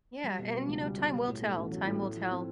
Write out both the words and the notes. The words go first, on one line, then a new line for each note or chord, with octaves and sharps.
Yeah. And, you know, time will tell. Time will tell
G3
B2
B3
C#2
G3
B2
F#3
A2
A3
A1
F#3
A2
A3
F3
C4